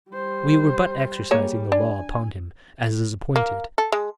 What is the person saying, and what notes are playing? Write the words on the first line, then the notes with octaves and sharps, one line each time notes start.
We were but exercising the law upon him, as is appointed....
G3 C5
G3 A#3 G#4 C#5
D4 G#5
A#3
A4
G#3